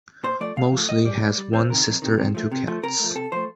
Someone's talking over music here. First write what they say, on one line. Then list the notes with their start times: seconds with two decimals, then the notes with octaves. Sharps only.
Mosley has one sister and two cats.
0.23 A#2 C5
0.40 F3 A3 D5
0.56 A#2 F5
0.72 F3
0.77 A3
0.89 A2 D#5
1.05 G3 D5
1.21 A2
1.38 G3
1.53 F2 C5
1.69 C3 D#3 A#4
1.87 F2
2.02 C3 D#3
2.18 C3
2.35 F3 A3
2.52 C3
2.67 F3 A3
2.83 C3 A#4
3.00 F3 A3
3.15 C3 A4
3.32 F3 A3 C5